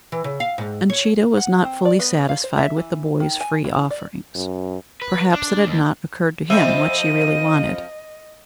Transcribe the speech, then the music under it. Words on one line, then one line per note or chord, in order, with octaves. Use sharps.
Uncheedah was not fully satisfied with the boy's free offerings. Perhaps it had not occurred to him what she really wanted.
E3
C#3
F5
G#2
C#5
F#5
C4
D5
B3
F5
C5
E5
E3
D#3
G#5
E4
D5
F#2
B4
D4
D#2
F2 F3 C5 D#5 E5 D#7